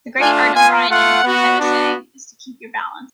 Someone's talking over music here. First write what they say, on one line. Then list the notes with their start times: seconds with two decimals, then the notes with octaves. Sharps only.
The great art of riding, as I was saying, is to keep your balance.
0.19 A3 D4 F4 G#5
0.54 B3 F4 G#5
0.89 A3 F4 F#5
1.24 B3 F#4
1.60 B3 D4 F#4